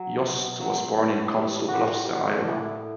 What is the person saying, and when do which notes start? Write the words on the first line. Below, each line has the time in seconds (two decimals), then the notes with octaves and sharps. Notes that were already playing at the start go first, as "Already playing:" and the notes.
Yost was born in Council Bluffs, Iowa.
Already playing: F#3
0.23 B2
0.60 F#3
0.98 E3
1.35 G3
1.68 F#4
1.74 A2 G4
2.11 A2 F#4
2.44 A2 D4 E4